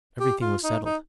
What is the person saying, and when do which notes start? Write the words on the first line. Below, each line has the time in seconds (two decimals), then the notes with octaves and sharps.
Everything was settled.
0.20 G4
0.42 F4
0.64 D#4
0.85 D#4